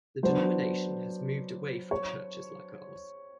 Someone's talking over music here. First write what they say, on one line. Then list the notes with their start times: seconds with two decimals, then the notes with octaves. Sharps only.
The denomination has moved away from churches like ours.
0.23 F#3 B3 D4 C5
1.91 C#5